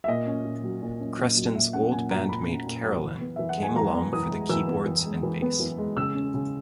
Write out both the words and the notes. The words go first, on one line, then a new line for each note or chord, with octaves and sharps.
Creston's old band mate Carolyn came along for the keyboards and bass.
E5
A#2 D#5
C#4
A#2
F#3
A#2
C#4
A#2
F#3
A#2 E5
C#4 F#5
A#2 G#5
F#3 A#5
A#2 B5
C#4
A#2
F#3
E3
B3
E3 E5
F#5
G#3
G#5
E3 A#5
B3
E3 D#6
G#3
E3 E6
B3
E3
G#3
E3
B3
E3
G#3
C#3 E6
C#4
C#3